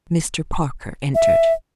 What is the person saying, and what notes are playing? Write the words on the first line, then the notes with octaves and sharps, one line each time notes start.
Mr. Parker entered.
E5